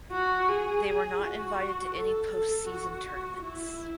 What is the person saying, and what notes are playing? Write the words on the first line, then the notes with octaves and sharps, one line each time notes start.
They were not invited to any post season tournaments.
F#4
G#4
F#4
A4
A4
F#4
E4